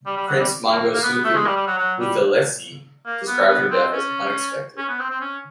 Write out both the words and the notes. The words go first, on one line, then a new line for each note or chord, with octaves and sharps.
Prince Mangosuthu Buthelezi described her death as "unexpected".
G3
G3
F#3
G3
A#3
A#3
B3
B3
A3
G#3
G3
G3
F#3
F#3
G3
A#3
B3
B3
C4
C#4
C#4
B3
C4
C4
C#4